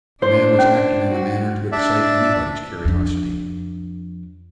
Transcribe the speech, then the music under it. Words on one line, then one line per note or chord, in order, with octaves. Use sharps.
The man was acting in a manner to excite anybody's curiosity.
D4 C5
C#4
F#4
D4 D5 E5
F2 D4